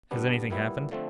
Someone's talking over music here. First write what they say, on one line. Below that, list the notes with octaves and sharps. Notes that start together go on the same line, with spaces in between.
"Has any thing happened?"
G2 D3 G3 B3 D4
A#2 G3 B3 E4
D3 F3 A3 C4